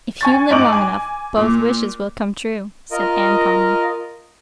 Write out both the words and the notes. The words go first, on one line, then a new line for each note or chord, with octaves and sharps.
"If you live long enough both wishes will come true," said Anne calmly.
G#5 C#6 A6
G#2 D#4 C#6 D6 D7 F#7
G#5
A#2
F4 A#4 D#5